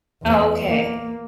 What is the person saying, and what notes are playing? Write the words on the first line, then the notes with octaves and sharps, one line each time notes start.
Oh, okay.
E2
A#3